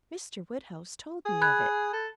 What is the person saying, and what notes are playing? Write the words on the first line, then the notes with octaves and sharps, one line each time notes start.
Mr. Woodhouse told me of it.
G#4
B5 F#6 G#6
A4